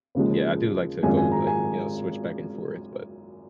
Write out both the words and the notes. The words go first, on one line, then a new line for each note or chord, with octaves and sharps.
Yeah, I do like to go, like, you know, switch back and forth, but
D#2 C#3 F3 G#3
G#1 F#2 F3 G#3 G#5
G#5
A#5
G#5